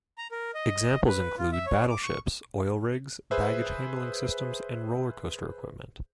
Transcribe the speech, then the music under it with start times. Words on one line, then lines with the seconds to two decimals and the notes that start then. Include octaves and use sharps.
Examples include battleships, oil rigs, baggage handling systems and roller coaster equipment.
0.18 A#5
0.32 A#4
0.55 D#5
1.07 B4
1.38 F4
1.52 E5
1.67 C#5
1.90 D6
2.03 C#6
3.31 G#4 B4 C5 E5